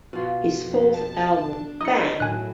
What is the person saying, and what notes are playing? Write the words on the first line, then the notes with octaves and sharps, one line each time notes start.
His fourth album, Bang!
B2 F4
F2
A5
D4
D#4 E4 D#5 D#6 C#7
A2 F#3 G#5 F#6